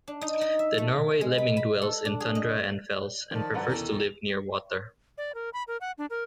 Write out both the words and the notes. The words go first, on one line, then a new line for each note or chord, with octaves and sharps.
The Norway lemming dwells in tundra and fells, and prefers to live near water.
D4
D#4
D#4
E5
A3
G#3
B5
B5
A4
D4
G#4
D#5
D#3 F3 A4 D5
G2 B2 D3 F3 F#5 A#5
E2 D#3 E3 C#4 A4 A#4
F7
D5
A#4
B5
A#4
F#5
D4
A#4